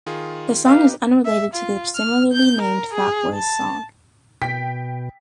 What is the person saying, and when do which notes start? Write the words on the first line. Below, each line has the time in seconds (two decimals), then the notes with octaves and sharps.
The song is unrelated to the similarly named Fat Boys' song.
0.06 D#3 F4 G#4
0.65 D#4 G4 B4 F5
1.25 E5
1.54 F4
1.96 F6
2.33 G6
2.62 A#4
2.94 G#4
3.35 A5
4.42 B2 G5 B6